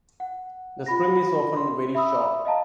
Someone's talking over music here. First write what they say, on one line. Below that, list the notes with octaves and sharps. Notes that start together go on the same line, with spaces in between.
The spring is often very short.
F#5
F4 B5 A#6
C6
E5 B5 D#6 E6
D#5 F5 A5 A#5